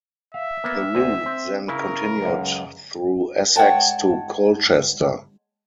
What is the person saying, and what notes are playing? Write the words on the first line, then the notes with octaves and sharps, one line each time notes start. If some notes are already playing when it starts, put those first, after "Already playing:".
The route then continued through Essex to Colchester.
E5 F5
A#3 B3
D2 C4 G#5
C4
C#3 E4 A#4
C#2 F#2
G#3 C#5 F#5 G5 A5